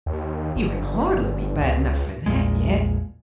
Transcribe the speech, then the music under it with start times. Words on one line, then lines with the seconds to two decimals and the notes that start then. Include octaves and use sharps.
But you can hardly be bad enough for that yet.
0.06 D#2
0.56 G1
1.61 C#2
2.26 A#1 E2 A#2 G#3